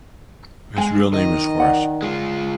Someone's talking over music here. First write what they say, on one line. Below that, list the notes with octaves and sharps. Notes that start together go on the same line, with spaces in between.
His real name is Horace.
G#3 G#5
D#3 D#5
D5 F#5
G#3 F4